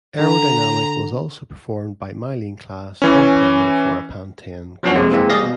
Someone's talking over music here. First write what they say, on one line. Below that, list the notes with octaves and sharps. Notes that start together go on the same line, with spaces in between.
"Aerodynamic" was also performed by Myleene Klass on piano for a Pantene commercial.
D3 A#5
E3 C#4
F3 F#3 B3 C#4 D4 F#4
F2 C3 G#3 A#3
C3 E3 G#3 A#3 C4
G3 G#4 D5 D#5 F5 A#6
B2